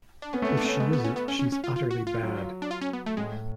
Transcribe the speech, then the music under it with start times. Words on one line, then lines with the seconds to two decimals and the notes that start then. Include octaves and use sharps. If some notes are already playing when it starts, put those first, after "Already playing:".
If she isn’t she’s utterly bad.
0.22 D4
0.33 B3 C#4
0.42 A3
0.45 C#4
0.49 B3
0.57 D4
0.64 A3 C#4
0.80 G#3
0.93 B3
1.04 C#4
1.16 B3
1.28 C#4
1.39 C#4
1.52 C#4
1.64 F4
1.76 F4
1.91 F#4
2.07 F4
2.22 F#3
2.62 D4
2.71 F4
2.81 C#4
2.93 B3
3.06 A3
3.17 A2 G#3